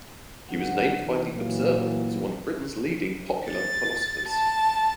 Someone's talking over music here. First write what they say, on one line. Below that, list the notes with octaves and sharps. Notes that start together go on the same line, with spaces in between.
He was named by "The Observer" as one of Britain’s leading popular philosophers.
G1 G#2 G#3 F#5
C3 D#3 E3
A#2 E3 F#3 A#3
A6
A5